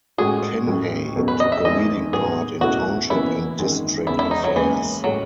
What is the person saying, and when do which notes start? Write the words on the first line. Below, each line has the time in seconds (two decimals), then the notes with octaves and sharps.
Pinhey took a leading part in township and district affairs.
0.18 A2 G#3 C#4 F#4 G#4
0.67 A1 A2 F#3 C#4
1.16 E2 B2 F#3 A3 C#4
1.28 B4
1.40 D#5
1.52 E5
1.64 E2 D#3 G#3 D#5
2.13 A2 F#3 B3 G#4
2.61 E2 B2 A3 C#4 E4 F#4
3.10 D#2 C#3 E3 B3 E4
3.59 G#1 F#2 D#3 G#3
4.07 E1 E2 C#3 E4
4.19 E4
4.31 D#4
4.44 F#3
4.56 D#2 C#3 E3 G#3 B3
5.04 A2 F#3 G#3